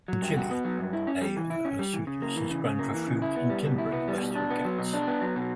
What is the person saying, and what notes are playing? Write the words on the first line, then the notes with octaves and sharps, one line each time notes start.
Anjily, "A. hirsutus", is grown for fruit and timber in the Western Ghats.
F#3
G2
F#4
B3
F#3
G2
E4
C#4
G3
E3
E4
C#4
G3
E3
C#3
A#3
E3
C#3
C#3
A#3
E3
C#3
E4
B3
G3
B2
E4
B3
G3
B2
D4
B3
F#3
B2
D4
B3
F#3
B2